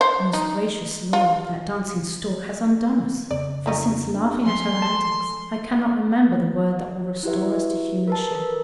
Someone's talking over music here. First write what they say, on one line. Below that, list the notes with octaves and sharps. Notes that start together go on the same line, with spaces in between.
"Most gracious lord, that dancing stork has undone us, for, since laughing at her antics, I cannot remember the word that will restore us to human shape."
C5
D#4
F4
F2 C#3 D5
C#4 D#4 E4
C4 D4
F3 A4 G#5 C6
A5
E4 F#4 G4 B4 E5
A#4 B4 A5
A4 A#4